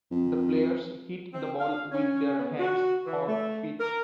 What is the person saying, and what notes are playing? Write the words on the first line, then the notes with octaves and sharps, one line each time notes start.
The players hit the ball with their hands or feet.
F2
C4
F5
C#4
B3
F#4
E3
A3
A#4